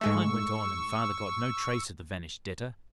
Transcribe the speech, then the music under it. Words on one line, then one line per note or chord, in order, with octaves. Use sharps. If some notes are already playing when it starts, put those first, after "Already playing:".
Time went on and father got no trace of the vanished debtor.
G#2 G#3 A3 C#6 E6